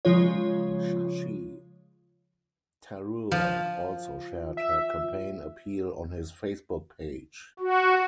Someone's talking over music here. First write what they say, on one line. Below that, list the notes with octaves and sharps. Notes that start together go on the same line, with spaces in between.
Shashi Tharoor also shared her campaign appeal on his Facebook page.
C#3 F3 G#3 F4 C#5
F3
E5
F#4